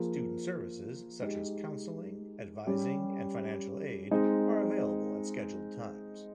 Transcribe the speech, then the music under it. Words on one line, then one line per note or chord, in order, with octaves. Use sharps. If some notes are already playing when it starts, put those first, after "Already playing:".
Student services such as counseling, advising and financial aid are available at scheduled times.
Already playing: F3 A#3 F4 G#4
G#3 D#4 G4
G3 C#4 G4
G#3 C4 D#4